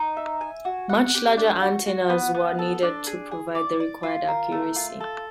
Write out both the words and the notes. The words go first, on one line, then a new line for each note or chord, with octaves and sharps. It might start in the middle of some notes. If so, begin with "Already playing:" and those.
Much larger antennas were needed to provide the required accuracy.
Already playing: D#4
E5
G#5
F#4
F#5
G4
D4
F#4
F#4
B3
B3
A4
D4
G#4
G#4
D5
D5
F4
A#4
A3
F4
A4